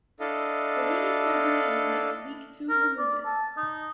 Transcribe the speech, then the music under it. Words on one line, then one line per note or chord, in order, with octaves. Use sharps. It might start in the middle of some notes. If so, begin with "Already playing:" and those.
Awaiting surgery in the next week to remove it.
D4 E4 A4 D#5 F5
A#4
D5
A5
D#4